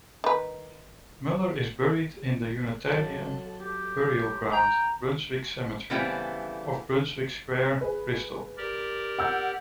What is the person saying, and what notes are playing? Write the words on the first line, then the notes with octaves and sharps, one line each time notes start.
Muller is buried in the Unitarian burial ground, Brunswick Cemetery, off Brunswick Square, Bristol.
D#3 B4
F#3 A4
G4
G5 A#5
C#3 E3 G3 A3 B3 C4
G#4 B4
G4 A#4 D5
F#5 E6 G6